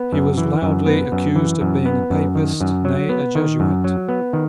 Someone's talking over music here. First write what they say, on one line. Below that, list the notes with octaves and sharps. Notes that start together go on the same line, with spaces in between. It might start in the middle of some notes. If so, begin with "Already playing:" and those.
He was loudly accused of being a Papist, nay, a Jesuit.
Already playing: B3
F#2
E3
F#2
B3
F#2
E3
F#2
B3
F#2
D#3
F#2
F#3
B3
D#3
F#2
F#3
B3
D#3